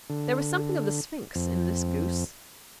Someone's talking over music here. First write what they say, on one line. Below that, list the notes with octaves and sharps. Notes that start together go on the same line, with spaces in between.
There was something of the Sphinx in this goose.
D3
F2